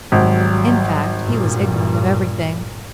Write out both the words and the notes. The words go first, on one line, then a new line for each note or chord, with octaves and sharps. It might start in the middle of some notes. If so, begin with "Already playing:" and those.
In fact, he was ignorant of everything.
G#1 F#3 G3
G2 A#2